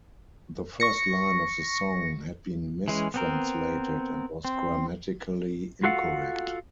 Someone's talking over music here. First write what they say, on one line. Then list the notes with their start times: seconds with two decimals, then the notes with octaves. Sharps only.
The first line of the song had been mistranslated and was grammatically incorrect.
0.80 C#6 A#6 C#7
2.88 E3 G#3 C#4
3.14 B3 C4 A#4
4.45 C4
5.83 F4 F#4 A4 F5 F#5